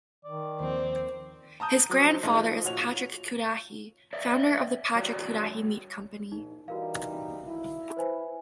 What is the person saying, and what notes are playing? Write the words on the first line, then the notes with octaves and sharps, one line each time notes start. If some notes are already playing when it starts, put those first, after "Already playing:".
His grandfather is Patrick Cudahy, founder of the Patrick Cudahy meat company.
D#3 D5
D#2 F3 C4
A5 A#5 D#6 G6
F#3 C5
A#1 G#3 A3 D#4
F3
A#2 F#4 C#5 F7
C#5 D5 E5
G2 F#4 C#5 D5
A#1 A#2 D#4
E3 G3 D#4 F#4 A#4 F5
E4
B4 C5 G#5